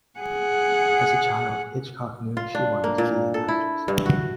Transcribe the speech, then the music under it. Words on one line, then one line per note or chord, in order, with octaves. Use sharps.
As a child, Hitchcock knew she wanted to be an actress.
G#4 F#5
F4
D4
A#3
A#2
A4
E4
G2
F#4